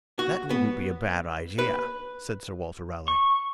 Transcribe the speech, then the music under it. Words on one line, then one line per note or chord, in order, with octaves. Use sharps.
"That wouldn't be a bad idea," said Sir Walter Raleigh.
F#4
B3
B4
C#6